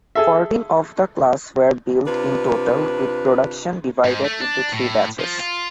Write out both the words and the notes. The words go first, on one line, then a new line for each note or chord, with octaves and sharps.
Fourteen of the class were built in total, with production divided into three batches.
G#4 A4 E5
C3 D4 F4 B4
G#2
A3
D4
A2
F3
F4